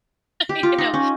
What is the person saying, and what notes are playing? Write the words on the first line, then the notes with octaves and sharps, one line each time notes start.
you know,
G4
F4
D#4
C#4